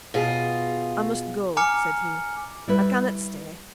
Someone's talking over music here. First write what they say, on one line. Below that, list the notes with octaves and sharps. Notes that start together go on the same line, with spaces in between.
'I must go,' said he, 'I cannot stay.
B2 F4 G#4
G#5 A#5 D6 F6 C#7
G3 E4 B4